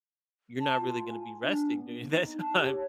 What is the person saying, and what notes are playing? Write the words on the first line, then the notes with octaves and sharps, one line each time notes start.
you're not really gonna be resting during that time,
A5
F4
G#5
D4
B3
D#4
A5
G4
C#5